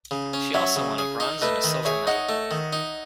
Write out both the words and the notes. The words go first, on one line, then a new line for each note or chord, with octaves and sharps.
She also won a bronze and a silver medal.
C#3
C#4
F#3 C#5 E5
C#3
G#4
D#4
A3 B4 D#5
D#3
G#4 C#5 E5
D#4 D#5 F#5
A3
D#3
D#4